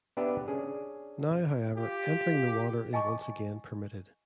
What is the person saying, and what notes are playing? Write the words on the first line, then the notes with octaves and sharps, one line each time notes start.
Now, however, entering the water is once again permitted.
B3 D4 G4 B4 E5
C#4 D4 G#4
F4 G4
D#5 G#5 A5 C#6 D6